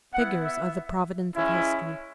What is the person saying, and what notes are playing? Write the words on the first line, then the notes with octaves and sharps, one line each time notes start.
Figures are the providence of history.
B3 F#5
E4
E5
G#3 C#4 E4